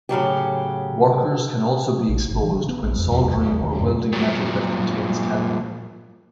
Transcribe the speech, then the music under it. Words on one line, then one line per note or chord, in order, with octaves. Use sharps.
Workers can also be exposed when soldering or welding metal that contains cadmium.
A2 C#3 F#3 G4
A#1
G1
E3
C#3
B3
A#1
F2
E2
E2
D#2
D#3
F#2
A#2 F#3